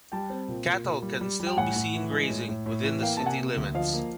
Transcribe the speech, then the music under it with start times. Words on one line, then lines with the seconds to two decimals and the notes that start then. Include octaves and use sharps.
Cattle can still be seen grazing within the city limits.
0.12 G3 G5 A5
0.30 C4
0.48 A#2
0.66 A#2
0.84 A#2
1.02 G3
1.21 G3
1.40 G3
1.47 G5
1.57 A2 F#5 G#5
1.76 A2
1.94 E3
2.11 G#3
2.29 A2
2.48 A2
2.66 A2
2.84 E3
3.02 A#3 F5 G5
3.17 C3 A5
3.26 F#5 G#5
3.38 A#3
3.56 D2
3.74 F3 D#5 F5
3.93 A#3